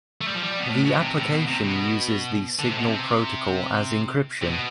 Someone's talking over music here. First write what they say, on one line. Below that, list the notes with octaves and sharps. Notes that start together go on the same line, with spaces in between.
The application uses the Signal Protocol as encryption.
A3
G3
F3
G3
B2
A2
B2
C3
A2
B2
C3
B2
D3
C3
B2
C3
C3
B2